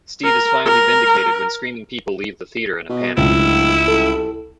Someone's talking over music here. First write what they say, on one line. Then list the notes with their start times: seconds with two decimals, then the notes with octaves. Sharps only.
Steve is finally vindicated when screaming people leave the theater in a panic.
0.24 A#4
0.65 A#4
2.89 B2
3.17 D1 C#2 E4
3.88 C2 A4